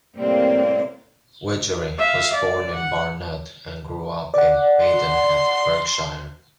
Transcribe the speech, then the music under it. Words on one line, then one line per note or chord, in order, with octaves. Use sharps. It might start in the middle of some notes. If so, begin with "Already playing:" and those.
Widgery was born in Barnet and grew up in Maidenhead, Berkshire.
A2 C3 G3 A#3 C4
E5 F5
D5
F#5
D5 F#5
C6